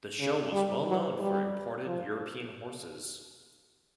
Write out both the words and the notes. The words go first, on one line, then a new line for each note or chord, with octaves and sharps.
The show was well known for imported European horses.
C#3
G3
F#3
G3
F3